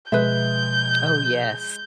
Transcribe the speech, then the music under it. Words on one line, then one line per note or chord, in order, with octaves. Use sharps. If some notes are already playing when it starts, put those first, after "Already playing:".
Oh, yes.
B2 F3 G#3 B4 E5 G6